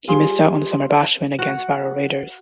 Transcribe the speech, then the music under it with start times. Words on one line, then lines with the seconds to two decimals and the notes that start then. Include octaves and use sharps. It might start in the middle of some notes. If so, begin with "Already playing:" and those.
He missed out on the Summer Bash win against Barrow Raiders.
0.08 G3 F4 G#4 C6 G7
1.39 F#4